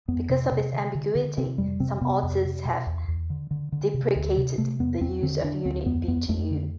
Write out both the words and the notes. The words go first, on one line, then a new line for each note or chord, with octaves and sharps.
Because of this ambiguity, some authors have deprecated the use of the unit Btu.
F2 B3
C3
C3
D3
D3
D3
C3 C4
F2 G3
C3 C4
C3 B3
F2
C3
B2
E2
E2
D3
D3
D3
C3
D2
C3
C3 A3
E2 B3
E2 C4
D3 C4
D3 D4
D2 C4
F2 B3
F2 B3
F2 A3
D3